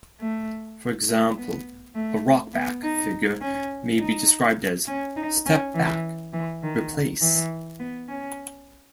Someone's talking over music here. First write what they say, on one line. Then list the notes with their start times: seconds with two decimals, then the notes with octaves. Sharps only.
For example, a "rock back" figure may be described as "step back, replace".
0.20 A3
1.08 A3
1.37 B3
1.95 A3
2.53 B3
2.83 D#4
3.41 C#4
3.99 D#4
4.87 C#4
5.16 D#4
5.46 C#4
5.75 E3
6.33 E3
6.63 D#3
7.22 E3
7.79 B3
8.08 C#4